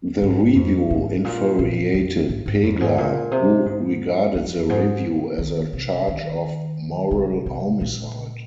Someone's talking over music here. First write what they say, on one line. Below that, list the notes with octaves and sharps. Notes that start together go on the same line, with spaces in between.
The review infuriated Pegler, who regarded the review as a charge of "moral homicide".
G#2
F2
G#2
A#2
A#2
F2
G#2
G#2
F2
G#2
A#2
C3
G#2
F2
G#2
D#3
C3
D#3
C3
C3
A#2